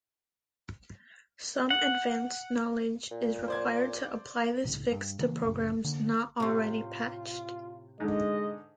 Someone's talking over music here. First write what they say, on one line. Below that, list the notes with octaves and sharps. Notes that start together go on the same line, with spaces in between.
Some advanced knowledge is required to apply this fix to programs not already patched.
F#5
A#2
C5 D5 G#6
C2 A2 C#3
G2
C#3 E3 A#3
A#1 F#2 C#3
D3 A#3
A2 C3 F4
G#2 D3 G#3 D#5